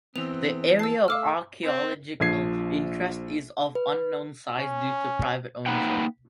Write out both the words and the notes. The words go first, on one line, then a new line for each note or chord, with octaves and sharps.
The area of archeological interest is of unknown size due to private ownership.
E3 B3 C4 F7
A5 E6 C7
A3 F5 D6 E6 F6
C4
A#1 F3 G#6 C7
B4
C#4
A#3 D#4 B4 F#5 G5